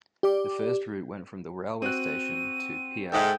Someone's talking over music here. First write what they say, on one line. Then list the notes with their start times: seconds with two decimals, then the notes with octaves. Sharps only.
The first route went from the railway station to pl.
0.23 G4 D5 D6
1.82 C4 F#4 F#6 D#7
3.12 G#2 A4 E5 G5 D#6